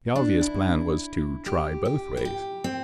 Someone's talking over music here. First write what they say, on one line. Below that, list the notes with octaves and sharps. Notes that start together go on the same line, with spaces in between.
The obvious plan was to try both ways.
D4
E4
G4
G4
E4
G4
C4